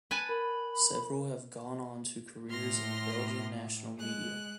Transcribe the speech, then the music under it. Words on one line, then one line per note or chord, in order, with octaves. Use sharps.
Several have gone on to careers in the Belgian national media.
B4 G#5 A5
A#4 B5
A2 C6 F6 A#6
G#3 F#6